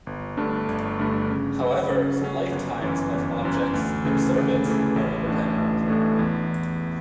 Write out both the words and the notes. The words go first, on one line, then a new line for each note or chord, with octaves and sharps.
However, the lifetimes of objects and servants are independent.
G1
G2 D3 A3 D4
G1
G2 D3 A3 D4
C#3
F#3 C#4
C#3
F#3 C#4
G1
F#2 E3
G1
F#2 E3
D2
C#3 E3 A3
D2
C#3 E3 A3
A1
A2 E3 A3 D4
A1
A2 E3 A3 D4
E2